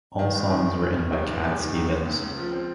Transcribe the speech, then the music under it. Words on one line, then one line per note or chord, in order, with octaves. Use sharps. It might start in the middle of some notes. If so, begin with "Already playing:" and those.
All songs written by Cat Stevens.
D#3
F1
D#3
F1
F1
D#3
D#2
F1
D#2
D#3
D#2
F1
C#2
C#2
F3
C4